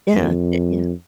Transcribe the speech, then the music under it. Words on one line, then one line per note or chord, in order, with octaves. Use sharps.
Yeah, y yeah,
F2